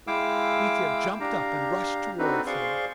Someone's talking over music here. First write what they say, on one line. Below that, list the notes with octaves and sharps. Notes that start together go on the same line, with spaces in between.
Mitya jumped up and rushed towards him.
G#3 E4 F5 G5 D6 E6
D4 G4 F5 A#5
C4 D4 D#4 F#4 A4 B4
G#4 C5 D5 F5 C6 C#6